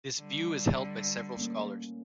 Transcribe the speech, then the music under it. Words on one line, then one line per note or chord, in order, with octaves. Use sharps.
This view is held by several scholars.
D3 G3
A3 A#3 C#4